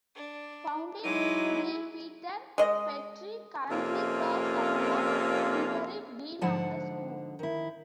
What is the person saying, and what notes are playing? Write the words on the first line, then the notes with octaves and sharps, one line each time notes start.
Founding dean Peter Petri currently serves as the interim dean of the school.
D4
F#3 G#3 D#4 E4 D6 D#7
G#3 D#5
F2 C3 A#3 C#4 F4
G#2 D3 F3 F#5 A5
D#3 E4